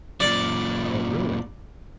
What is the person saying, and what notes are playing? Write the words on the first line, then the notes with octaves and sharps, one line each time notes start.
Oh, really?
F#2 A#2 D5